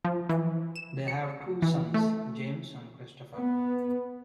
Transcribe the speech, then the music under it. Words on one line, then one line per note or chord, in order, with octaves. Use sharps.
They have two sons: James and Christopher.
F3
E3
E7
C#7
E3
A3
B3